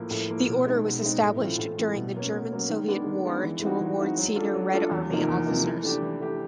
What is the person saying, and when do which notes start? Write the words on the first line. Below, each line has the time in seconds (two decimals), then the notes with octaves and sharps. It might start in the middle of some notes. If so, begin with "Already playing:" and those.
The Order was established during the German-Soviet War to reward senior Red Army officers.
Already playing: A2 F3 A#3
0.11 A2
0.29 F3 A#3
0.48 B2
0.66 G#3 C4 D#4
0.85 B2
1.03 G#3 C4 D#4
1.21 A2
1.40 E3 A3 C4 F4
1.59 A2
1.77 E3 A3 C4 F4
1.96 B2
2.14 F#3 A#3 C#4
2.33 B2
2.51 F#3 A#3 C#4
2.70 D#3
2.88 G#3 B3 D4
3.07 D#3
3.25 G#3 B3 D4
3.44 E3
3.62 G#3 C4 D#4 F#4
3.81 E3
3.99 G#3 C4 D#4 F#4
4.17 F#3
4.35 A3 D4 F4 A4
4.54 F#3
4.72 A3 D4 F4 A4
4.91 E2
5.09 C3 F3 A#3 D#4
5.28 E2
5.46 C3 F3 A#3 D#4
5.65 E3
5.83 A3 D4 G4
6.02 E3
6.21 A3 D4 G4